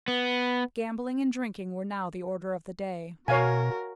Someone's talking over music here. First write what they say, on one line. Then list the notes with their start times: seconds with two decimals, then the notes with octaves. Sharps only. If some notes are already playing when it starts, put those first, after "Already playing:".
Gambling and drinking were now the order of the day.
0.08 B3
3.28 B2 F#4 A#4 C#5 F5 G#5